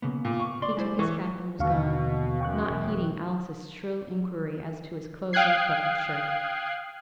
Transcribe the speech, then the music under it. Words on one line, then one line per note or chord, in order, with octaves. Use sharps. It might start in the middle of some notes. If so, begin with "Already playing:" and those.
He took his cap and was gone, not heeding Alice's shrill inquiry as to his clothes and his ruffled shirt.
C#3 A#3 B3
A#2
C#6
D5 C6
G#3 E4 C5
E3 C#6
D#2 B2 D3 E3 A#3 F5 C#6
F#2 G5 C#6 F#6
E1 E3 A#3
F5 G5 D#6 F#6 G#6 C7